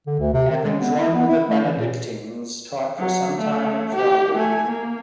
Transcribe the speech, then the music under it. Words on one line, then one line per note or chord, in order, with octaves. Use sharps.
Having joined the Benedictines, taught for some time at Freiburg.
D3
D2
C3
D#3
G#3
B3
E4
B3
E4
A3
E3
A#2
F#3
A3
G4
A3 G#5
A#3